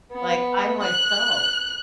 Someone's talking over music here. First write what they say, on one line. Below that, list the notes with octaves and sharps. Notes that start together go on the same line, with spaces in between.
Like, I myself
B3
F#6